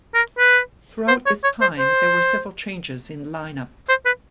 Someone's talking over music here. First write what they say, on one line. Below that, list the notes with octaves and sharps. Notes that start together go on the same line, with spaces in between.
Throughout this time there were several changes in line-up.
A#4
B4
C5
C#5
C#5
C5
C5
C5
B4